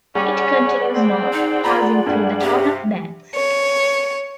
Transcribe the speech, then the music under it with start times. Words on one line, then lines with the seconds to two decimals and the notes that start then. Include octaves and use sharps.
It continues north, passing through the town of Banks.
0.15 G3 C#4 G#4 D5 F#5
0.94 C4
1.33 D#4
1.64 F4 A#5 B5
2.06 G2
2.41 C3 G4
3.35 C#5